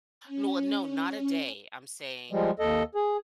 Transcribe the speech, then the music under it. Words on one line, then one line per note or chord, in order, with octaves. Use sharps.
No a no not a day, I'm saying
C#4
F3 G3 G#3
D#2 A4 D#5
G#4